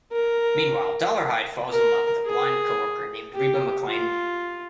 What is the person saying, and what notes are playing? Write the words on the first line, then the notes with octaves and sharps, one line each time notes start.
Meanwhile, Dolarhyde falls in love with a blind coworker named Reba McClane.
A#4
A#4
G#4
G4
F4